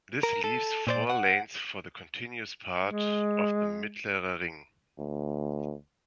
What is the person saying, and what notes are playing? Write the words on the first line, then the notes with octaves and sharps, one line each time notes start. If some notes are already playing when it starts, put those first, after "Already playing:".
This leaves four lanes for the continuous part of the "Mittlerer Ring".
A#4
A4
A#2 C5 D5
F#5
G#3
D2